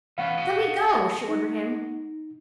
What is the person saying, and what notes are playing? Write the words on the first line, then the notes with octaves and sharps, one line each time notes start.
"Let me go!" she ordered him.
E3 B3 C#4 F5 F#5
F#4 D#5
D#4